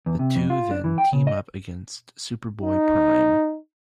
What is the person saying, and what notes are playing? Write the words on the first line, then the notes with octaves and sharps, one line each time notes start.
The two then team up against Superboy-Prime.
E2
C3
F2
F4
D4
E3
G5
C#3
D#5
D#4